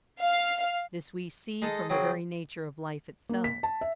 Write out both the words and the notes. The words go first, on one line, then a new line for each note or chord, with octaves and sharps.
This we see from the very nature of life itself.
F5
G#3 D#4 A4
C#3 F#3 C4 C#4
A#3
B6
A5
E5